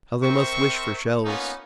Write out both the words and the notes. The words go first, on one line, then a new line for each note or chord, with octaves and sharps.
"How they must wish for shells!"
C4 A#4 C5 E5 C#6
A#3 B3 C#4 D#4 F4